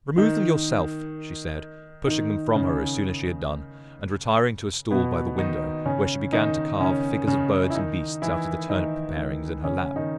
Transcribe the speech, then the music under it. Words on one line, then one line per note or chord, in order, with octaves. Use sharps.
'Remove them yourself,' she said, pushing them from her as soon as she had done; and retiring to a stool by the window, where she began to carve figures of birds and beasts out of the turnip-parings in her lap.
D#3 D#4
D#3 D#4
C#3 C#4
B2 B3
D#3 D#4
C#3 C#4
D#3 D#4
C#3 C#4
C#3 C#4
E4
D#3 D#4
E3 E4
D#3 D#4
D#3 D#4
C#3 C#4
D#3 D#4